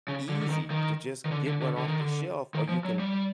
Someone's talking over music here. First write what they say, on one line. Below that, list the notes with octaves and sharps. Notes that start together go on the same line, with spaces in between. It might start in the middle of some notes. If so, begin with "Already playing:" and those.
easy to just get one off the shelf or you can
C#3
D3
D3
D#3
D#3
D#3
D3
D3
D3
D3
D#3
D3
D#3
F3
F#3
G3